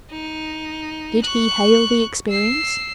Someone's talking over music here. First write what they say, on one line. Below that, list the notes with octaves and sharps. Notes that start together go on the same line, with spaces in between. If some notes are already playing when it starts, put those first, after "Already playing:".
Did he hail the experience?
D#4
C#6 F#6
E6 C7